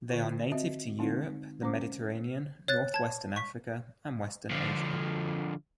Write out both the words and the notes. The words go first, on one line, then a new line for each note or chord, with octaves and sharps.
They are native to Europe, the Mediterranean, northwestern Africa, and western Asia.
D3 F4
C4 F#4 D#5 E5
D3 G#3 C4 D#4
G#3 C#4 C5 D6
C#5 F#6 A6
A5 G#6
C#6 B6
D3 F3